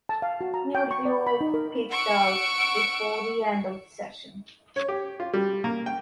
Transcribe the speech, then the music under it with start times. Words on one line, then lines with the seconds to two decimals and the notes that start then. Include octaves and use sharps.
You would be all kicked out before the end of the session.
0.09 A5
0.22 F5
0.41 F#4
0.54 A#5
0.75 G5
0.91 C#6
1.05 D5
1.27 B5
1.41 D#4
1.54 A#4
1.90 F#5 C#6 E6 D7
4.76 C#5
4.88 G4
5.20 F4
5.33 G3
5.64 A#3
5.86 G5